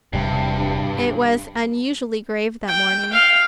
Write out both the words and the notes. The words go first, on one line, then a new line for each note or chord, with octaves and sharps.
It was unusually grave that morning.
E1 G2 C3 G3
G5
F5